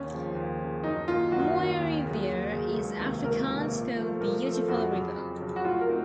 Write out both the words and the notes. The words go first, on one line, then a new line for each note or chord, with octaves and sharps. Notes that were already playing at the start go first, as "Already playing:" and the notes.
"Mooirivier" is Afrikaans for "beautiful river".
Already playing: D#2 C#4
C#3 F3
D#2
C#3 F3
F#2 D#4
D#3 A#3 C#4 F4
F#2 F#4
D#3 A#3 C#4
D#2
C#3 F#3
D#2
C#3 F#3
C#2
C3 D#3 A#3
C#2 A#4
C3 D#3 A#3
A#2
F3 A3
A#2 A#4
F3 A3 A4
F2 F#4
C#3 F#3
F2
C#3 F#3
F#4
A2 F4
A#4
A3 C4 D#4 F#4